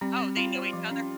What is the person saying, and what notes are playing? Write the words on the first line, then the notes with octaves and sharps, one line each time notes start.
Oh, they know each other?
G3 C4
C4
C4 F4
C5
F3
C#4